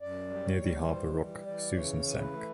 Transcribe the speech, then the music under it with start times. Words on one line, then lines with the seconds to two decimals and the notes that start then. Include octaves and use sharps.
Near the Harbour Rock "Susan" sank.
0.01 F#2 D5
0.30 G3
0.45 C#5
0.59 G3
0.88 E3 C5
1.17 G3
1.46 E3 D5
1.75 C#3 C#5
2.05 E3
2.19 B4
2.33 A3